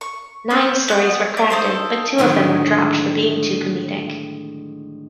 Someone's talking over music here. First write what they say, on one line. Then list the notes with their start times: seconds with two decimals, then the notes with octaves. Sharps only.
Nine stories were crafted, but two of them were dropped for being too comedic.
0.01 C#6
0.50 C#4 C5
0.88 B3 F#4 G6
1.37 D4
1.50 D#4 A4 C5
2.18 A2 D3 D#3 F#3 G#3 G#5